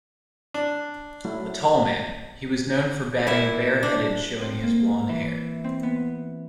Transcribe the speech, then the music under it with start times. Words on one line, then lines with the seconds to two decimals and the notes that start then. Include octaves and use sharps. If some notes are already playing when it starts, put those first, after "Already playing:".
A tall man, he was known for batting bare-headed showing his blonde hair.
0.54 D4
1.25 F#3 A3 E4
3.27 A#2 E4 E5
3.83 D4
4.41 C4
4.63 A#3
5.09 E3
5.64 C4
5.83 B3